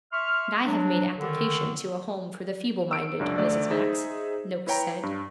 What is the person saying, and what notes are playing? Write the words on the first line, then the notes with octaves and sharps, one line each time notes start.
'And I have made application to a home for the feeble-minded, Mrs. Max,' Noakes said.
E5 C6 C#6 F6
F#3 D4
D3 D#3
E6 D7
C#2 F#2 D4
D2 A3 D5
D#4 G#4 C5 E5
E4 B4 C#5 G5 A#5
G2